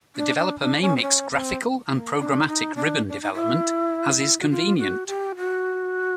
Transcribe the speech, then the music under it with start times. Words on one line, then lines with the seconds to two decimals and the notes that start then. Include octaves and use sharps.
The developer may mix graphical and programmatic ribbon development as is convenient.
0.16 D4
0.37 D4
0.59 D4
0.81 C#4
0.96 C4
1.02 C#4
1.31 C4
1.89 A#3
2.13 D#4
2.18 D4
2.46 D#4
2.75 D4
3.09 D4
3.21 D#4
3.33 E4
4.40 F#4
4.50 F4
4.78 F#4
5.07 G4
5.36 F#4